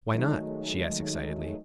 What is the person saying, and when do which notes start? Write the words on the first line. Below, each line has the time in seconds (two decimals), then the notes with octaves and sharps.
"Why not?" she asked excitedly.
0.13 D#3 F#3 G#3 A3 D#4